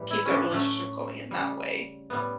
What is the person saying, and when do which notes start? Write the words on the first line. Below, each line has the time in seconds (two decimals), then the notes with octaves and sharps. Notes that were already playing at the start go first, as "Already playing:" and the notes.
keep the relationship going in that way,
Already playing: A2 E3 G3 G4
0.11 E4
0.26 C#4
0.31 D4
0.50 A2 F#3 A3 C#4
1.31 C#3 G3
2.10 A2 G3 B3